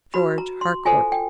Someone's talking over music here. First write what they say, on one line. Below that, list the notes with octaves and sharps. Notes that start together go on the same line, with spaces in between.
George Harcourt.
F#4 B4 B5
A#5
C6
F4 A4 C5 G#5
G5